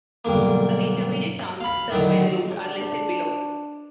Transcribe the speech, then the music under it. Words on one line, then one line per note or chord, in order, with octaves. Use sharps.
The intermediate towns served by the route are listed below.
B1 G2 D3 A#3
F5 B5
A2 D3 D#3 F#3
D4